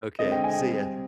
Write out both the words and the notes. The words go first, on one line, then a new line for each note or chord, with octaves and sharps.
Okay. See ya.
D3 G#3 C4 D#5
G5
G#5
C3 G3 C4